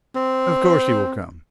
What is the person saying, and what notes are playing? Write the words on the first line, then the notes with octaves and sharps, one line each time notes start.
"Of course he will come."
C4